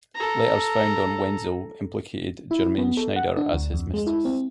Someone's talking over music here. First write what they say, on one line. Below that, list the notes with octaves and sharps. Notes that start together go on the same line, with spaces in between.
Letters found on Wenzel implicated Germaine Schneider as his mistress.
A4 A#5
E4
B3
A4
F#5
D4
D2
F2
G#3
E4
C4